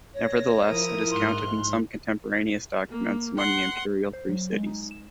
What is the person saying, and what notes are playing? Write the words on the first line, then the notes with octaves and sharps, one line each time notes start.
Nevertheless, it is counted in some contemporaneous documents among the Imperial Free Cities.
C#5 A#6
F3 E4 A#4 D#6
G#2 C6 F6 F#6
G#2
A#3
F#5 C6
C5
F#3
G#3
D#4
E7